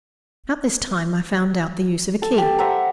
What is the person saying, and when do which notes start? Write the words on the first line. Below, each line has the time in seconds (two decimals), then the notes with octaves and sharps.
About this time I found out the use of a key.
2.22 A4
2.38 G4 A5
2.59 C5 E5 F#5 A#5